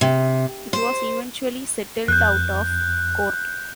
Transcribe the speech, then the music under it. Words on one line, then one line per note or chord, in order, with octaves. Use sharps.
It was eventually settled out of court.
C3
C5
F2 F#6 G6